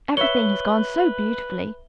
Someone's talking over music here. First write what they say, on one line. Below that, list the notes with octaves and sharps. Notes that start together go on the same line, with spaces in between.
Everything has gone so beautifully.
B4 C#5 E5 G7